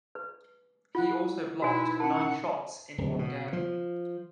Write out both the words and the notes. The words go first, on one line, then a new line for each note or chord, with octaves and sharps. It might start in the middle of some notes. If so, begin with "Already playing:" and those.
He also blocked nine shots in one game.
B4
E4 F4 F#5 F#6
B2 D#4 E4 F#4 B4 G#5
C#4 D#4 A#4 F#5 A5
D1
B2
F3